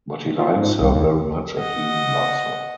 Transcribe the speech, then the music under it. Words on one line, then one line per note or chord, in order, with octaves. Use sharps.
But he likes her very much and even loves her.
F3
G#2
C2
D#2
D#5 F#5